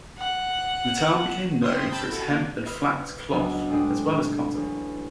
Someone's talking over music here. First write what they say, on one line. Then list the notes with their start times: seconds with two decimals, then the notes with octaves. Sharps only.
The town became known for its hemp and flax cloth, as well as cotton.
0.19 F#5
1.61 C5 E5 G5 C6 C#6 D#6
1.90 G5 A5 B5 E6 G6 A6
2.09 E4 F#4 A4
2.30 A#3 D4
2.66 B4 C5 E5 B5 D#6 F6
3.32 C#2 F#3 B3 D4
3.69 A2 G#3 D4 G4 C5 D#6
4.55 A1